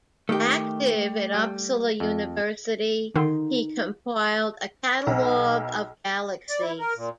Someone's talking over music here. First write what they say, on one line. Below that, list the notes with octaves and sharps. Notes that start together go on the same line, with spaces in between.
Active at Uppsala University, he compiled a catalogue of galaxies.
D#3 A3 G4
G3
F2
D3 D#3 D#4 C6
B1
D5
E4
A#4
A#2